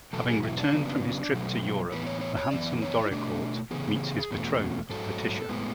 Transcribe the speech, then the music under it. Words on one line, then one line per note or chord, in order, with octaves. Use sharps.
Having returned from his trip to Europe, the handsome Doricourt meets his betrothed, Letitia.
E2 B2 F#3 A4
G#4
E4
D4
C#3 F#3 B3
B2 F#3 A3
A2 E3 B3 B4
C#5
C#5
C#5
F#2 E3 B3 D5
C#5
E4
B2 A3 D4
C#3 E3 B3 G#4
E2 B2 A3
G#2 F#3 A3 A4
A2 G#3 B3